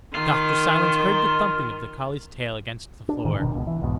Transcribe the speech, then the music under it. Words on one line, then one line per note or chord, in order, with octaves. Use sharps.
Dr. Silence heard the thumping of the collie's tail against the floor.
D#3 F4
D4
F1 A2 D#3 E3
F1 B2 D#3 D4
C#2 B2
E3
B1 E2 G#2 B2